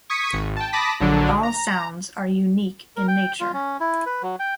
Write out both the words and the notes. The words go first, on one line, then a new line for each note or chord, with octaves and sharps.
All sounds are unique in nature.
C#6 D#6 G#6 B6 C#7 D#7
G#1
G5 A5
A5 B5 D6 D#6 A#6 B6
A#1 D3 F#3 D4
A#5
A#4
G5
F4
C#4
E4
B4
F#3
G5